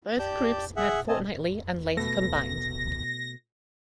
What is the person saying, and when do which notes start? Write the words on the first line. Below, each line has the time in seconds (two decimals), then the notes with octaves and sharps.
Both groups met fortnightly and later combined.
0.19 G4 D5 A5 G6
0.77 G#4 E5 F#5
1.08 C4 D#5 G#5 A5
1.97 B2 A3 A#6